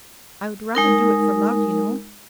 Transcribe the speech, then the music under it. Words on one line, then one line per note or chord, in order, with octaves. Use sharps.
"I would rather do it for love, you know."
G#3 D#4 A#4